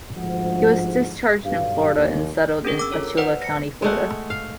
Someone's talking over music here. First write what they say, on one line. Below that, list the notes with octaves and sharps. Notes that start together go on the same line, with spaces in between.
He was discharged in Florida and settled in Alachua County, Florida.
D2 G#2 F3 F#5
B1 G2 F5
D#2
C#4 D4 G#4 A#4
A#4 D6 E6
F4 A4 C#5
B4 C5 D5 F#5
A#6 C#7
G#3 A3 F#5
F5